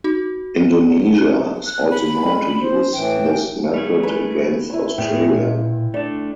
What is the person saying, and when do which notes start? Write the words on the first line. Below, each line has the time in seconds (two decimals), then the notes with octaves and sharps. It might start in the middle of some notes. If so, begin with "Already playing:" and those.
Indonesia is also known to use this method against Australia.
0.04 D#4 F#4
1.66 F#6
1.91 B5
2.19 G3 G#3
2.62 C5
2.93 A2 E3 G5
3.74 G3 A3 G#4
4.03 B4 G#5 C#6
4.70 E4 C#6
4.98 A2 B3 G#4 G5
5.31 A#2
5.94 A3 D4 D5